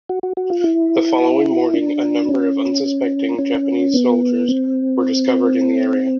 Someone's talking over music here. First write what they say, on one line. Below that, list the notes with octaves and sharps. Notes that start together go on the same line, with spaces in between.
The following morning a number of unsuspecting Japanese soldiers were discovered in the area.
F#4
F#4
F#4
F4
E4
D4
C#4
C#4
B3
C4